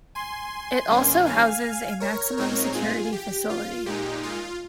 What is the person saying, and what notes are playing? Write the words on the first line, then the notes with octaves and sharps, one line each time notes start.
It also houses a maximum security facility.
G#5 C6
G2 D#3 A#3 C#4
F5 G#5
A#4 C#5
A#2 G#3 C4 D#4 A#4 C#5
F4 G#4
G4
F4
A#2 G#3 D#4 G4
F4